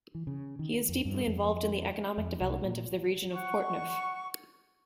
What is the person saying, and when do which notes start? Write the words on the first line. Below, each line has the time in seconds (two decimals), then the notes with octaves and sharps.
He is deeply involved in the economic development of the region of Portneuf.
0.15 E3
0.27 C#3
0.59 D#3
0.89 F2
1.05 G2
1.27 F2
2.17 F2
2.41 C2
2.64 A#2
3.34 F#5 C#6